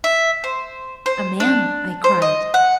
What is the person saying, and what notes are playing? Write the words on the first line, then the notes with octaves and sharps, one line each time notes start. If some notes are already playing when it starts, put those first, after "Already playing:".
"A man?" I cried.
E5
C5
C5
D4
C5
D#5
F#5